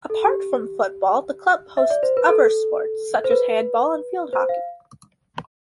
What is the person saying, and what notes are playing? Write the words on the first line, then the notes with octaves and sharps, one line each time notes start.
Apart from football, the club hosts other sports such as handball and field hockey.
A4
G4
E5
D5
C5
B4
A4
C5
B4
C5
F5